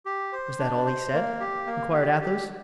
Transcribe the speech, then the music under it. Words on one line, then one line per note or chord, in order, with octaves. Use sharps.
"Was that all he said?" inquired Athos.
G4
C5
D4
C5
A#3
G4
A#3
G4
G4